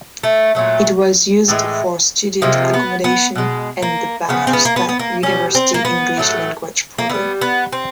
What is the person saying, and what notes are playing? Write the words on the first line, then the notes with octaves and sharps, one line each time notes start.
It was used for student accommodation and the Bath Spa University English Language Programme.
A3
A#2 F#3 A3
A2 E3 G#3
C3 F3 G#3 A#3
B3
B3
B2 G#3
A#3
C#3 F3 G#3 B3
C4
B3
A#3
B3
B3
A#3
B2 G3 C#4
C4
A#3
B3
A2 F#3 A3
A#3
D3 G3 B3
B3
C4